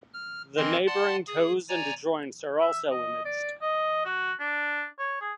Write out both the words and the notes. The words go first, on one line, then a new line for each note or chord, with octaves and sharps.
The neighbouring toes and joints are also imaged.
F6
E3 C4 A#4 D#5 C6
D5 F#5 A5 C6
G#4 D#6
C#5 D5 G#5 A#5
E5
D#5
D5
D#5
F#4
D4
C#5
G#4